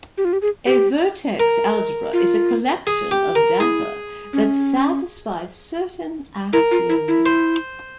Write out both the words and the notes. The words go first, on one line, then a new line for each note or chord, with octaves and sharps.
A vertex algebra is a collection of data that satisfy certain axioms.
G4
F4
G4
G#4
G4
A#4
F4
G#4
G4
A#4
E4 G#4
C#4
E4 A#4
F4
E4
E4
C5